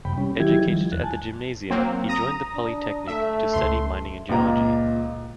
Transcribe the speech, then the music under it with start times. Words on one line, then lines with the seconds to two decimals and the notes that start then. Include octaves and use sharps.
Educated at the Gymnasium he joined the Polytechnic to study mining and geology.
0.05 F#2 C3 G5 B5
0.18 G3 C#4
0.40 D#3 E3 F#3 E4 G4 G#6
0.68 D#3 F3 G3
0.92 E2 F#6
1.03 G#5 A5
1.70 F#3 A#3 C4
2.09 A#5 D#6 A#6
2.54 D4
3.08 A3 E5
3.53 C#2 C6
4.29 C#2 A#2 A#5